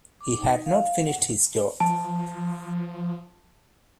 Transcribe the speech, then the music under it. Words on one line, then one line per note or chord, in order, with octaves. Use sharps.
He had not finished his job.
D6
D#4
F5
F#5
F3 A5